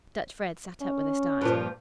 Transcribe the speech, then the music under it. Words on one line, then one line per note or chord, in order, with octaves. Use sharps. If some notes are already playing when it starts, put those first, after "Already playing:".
Dutch Fred sat up with a start.
C#4
G2 A#2 F3